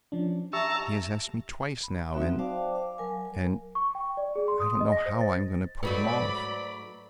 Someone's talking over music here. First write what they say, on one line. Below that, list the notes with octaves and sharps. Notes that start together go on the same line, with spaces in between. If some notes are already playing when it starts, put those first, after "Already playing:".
He has asked me twice now and--and--I don't know how I am going to put him off.
F3 C#4 D4
G4 E5 A5 A#5 C#6
B5
F#3 C4 D#4 F#4 E5
C5 D5 F5 G5 A5 D6
F5 D6
F#3 A#4 G#5
C#6
G5
D5
G#4
C6
D#6
D#5
A#6
C5
A6
G#2 F#3 A3 F#4 B4 D5 B5